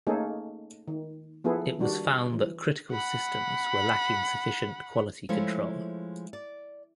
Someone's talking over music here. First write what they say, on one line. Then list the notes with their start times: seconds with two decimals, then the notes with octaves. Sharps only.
It was found that critical systems were lacking sufficient quality control.
0.07 A3 A#3 C#4 D#4 G#4 A4
0.88 D#3
1.44 F3 B3 E4 G#4 A4
1.79 D#3 G3 D4 F#4
2.33 E3
2.92 F#5 B5
5.29 F3 G#3 A3 E4 A4 C#5
6.33 D5